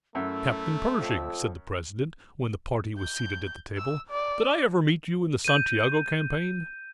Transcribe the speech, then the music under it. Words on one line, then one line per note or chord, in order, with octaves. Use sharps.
"Captain Pershing," said the President, when the party was seated at the table, "did I ever meet you in the Santiago campaign?"
F#2 A3 E4 E6
F2
G6
E6
D5
G6 D#7